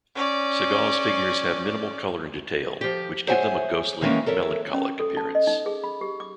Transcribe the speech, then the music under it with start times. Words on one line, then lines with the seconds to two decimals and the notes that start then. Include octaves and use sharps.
Segal's figures have minimal color and detail, which give them a ghostly, melancholic appearance.
0.15 C#4 D5
2.81 F3 G4
3.27 G#4 C5 C#5 E5 F#5 G#5
4.02 D#3 E3 G#3 A#3 C#4
4.26 A4 A#4 C#5 E5
4.73 C#4
4.99 A4
5.17 A5
5.35 D#5
5.47 D#4
5.66 G#4
5.84 B5
6.01 G4
6.20 D6